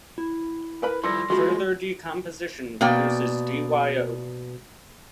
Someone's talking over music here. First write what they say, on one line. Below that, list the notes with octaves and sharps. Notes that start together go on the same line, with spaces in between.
Further decomposition produces DyO.
E4
A#4 B4 B5
F3 G3 E4 A4 C6 A#6
G#3 A3 F4 F#4 B5
B2 A#3 D5 G5